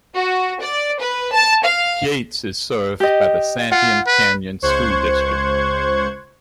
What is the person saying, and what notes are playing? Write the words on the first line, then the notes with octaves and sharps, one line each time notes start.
Gates is served by the Santiam Canyon School District.
F#4
D5
B4
A5
F5
G4 D#5
F4 F#5
B4
C#2 C5 C#6 F#6 G#6